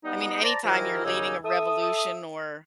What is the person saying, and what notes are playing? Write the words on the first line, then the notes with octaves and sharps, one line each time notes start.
I mean, anytime you're leading a revolution or
G3 B3 D#4
C5 D5 A5 A#5
D#3 F3 E4 G4 G#4 A#4
D#2 C#3 G3 D#4 G#5 E6
A4 E5 D#6